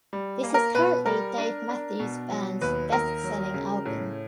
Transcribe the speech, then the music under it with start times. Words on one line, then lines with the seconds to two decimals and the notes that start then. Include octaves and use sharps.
This is currently Dave Matthews Band's best-selling album.
0.13 G3
0.43 A#3
0.54 A#4
0.75 B2 B4
1.06 G3 A#4
1.38 D4
1.69 D4
2.00 B2
2.30 F#3
2.61 D#2 B4
2.92 D#2 A#4
3.24 F#3
3.54 C#3
3.86 A2